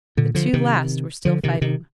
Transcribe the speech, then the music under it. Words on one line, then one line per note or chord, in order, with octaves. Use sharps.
The two last were still fighting.
A#2 D3
D3 F3
C3 D#3
D3 F3
C3 D#3
C3 D#3